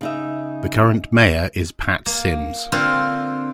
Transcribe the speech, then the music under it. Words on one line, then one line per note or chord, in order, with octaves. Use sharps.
The current mayor is Pat Sims.
C#3 D#4 E5
A#3
D3 A#3 C4 F4 C5